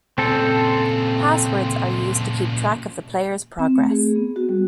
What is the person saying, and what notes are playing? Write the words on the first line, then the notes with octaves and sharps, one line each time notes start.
Passwords are used to keep track of the players progress.
A#2 C#3 C4 A4
C4
A3
G#4
B3
F#4
G3